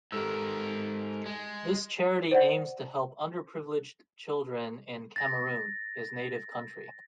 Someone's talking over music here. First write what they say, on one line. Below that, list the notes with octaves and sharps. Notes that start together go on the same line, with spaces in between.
This charity aims to help underprivileged children in Cameroon, his native country.
G#2 G4 A4 A#4 E6
G#3
C5 D5 F#5
A6 A#6